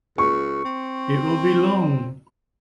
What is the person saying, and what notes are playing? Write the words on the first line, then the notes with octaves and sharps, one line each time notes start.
It will be long.
C#2 C#6
C4